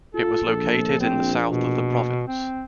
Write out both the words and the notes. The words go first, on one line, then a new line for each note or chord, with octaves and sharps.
It was located in the south of the province.
F4 A4
A#1
C4
B2
C4